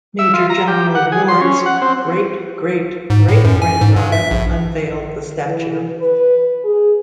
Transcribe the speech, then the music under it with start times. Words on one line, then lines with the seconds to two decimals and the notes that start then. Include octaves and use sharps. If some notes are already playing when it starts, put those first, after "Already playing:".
Major General Ward's great-great-great-granddaughter unveiled the statue.
0.19 E5
0.33 F4
0.50 A#5
0.68 G4
0.95 F#5
1.12 G#4
1.28 C6
1.41 C#4
1.66 F#5
1.82 C4
3.10 G#2
3.28 A2
3.44 F#2
3.62 G#5
3.81 G#2
3.96 G2
4.12 E5
4.31 A#1
5.47 E3
6.01 B4
6.65 G#4